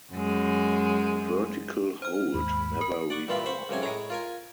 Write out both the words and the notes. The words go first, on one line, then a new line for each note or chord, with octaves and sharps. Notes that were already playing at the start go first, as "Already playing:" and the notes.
Vertical Hold never reformed.
F#2 G#3
C5 F6
D#2 G#2 B5
A#4
D5 F#5 C#6
G2 A#2 E3 F4 F5 B5
C5 B5 C#6
C#2 F#2 C3 C#5 G#5
A2 G#3 C#5 A#5
F4 A#4 G#5